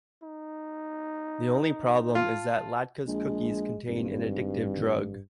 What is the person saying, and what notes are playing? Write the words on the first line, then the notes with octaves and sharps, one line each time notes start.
The only problem is that Latka's cookies contain an addictive drug.
D#4
F4 A5
A#1 G#3
G#1 G2